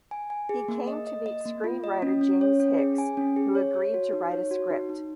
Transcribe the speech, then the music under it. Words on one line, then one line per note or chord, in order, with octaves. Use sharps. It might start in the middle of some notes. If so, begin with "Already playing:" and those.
He came to meet screenwriter James Hicks, who agreed to write a script.
G#5
G#5
G#4
A#3
D#5
D#5
D#5
A#3
F4
D#5
C#4
C#4
C#5
C#4
G#4
G#5
C#4
G#4
C#5
C#5
F#4
D#4
C#5
F#4
D#4
D#4